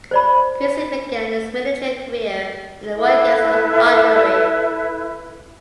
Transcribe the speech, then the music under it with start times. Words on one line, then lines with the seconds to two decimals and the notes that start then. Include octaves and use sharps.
Creasy began his military career in the Royal Garrison Artillery.
0.11 C5 D5 B5
2.96 E4 A4 B4 E5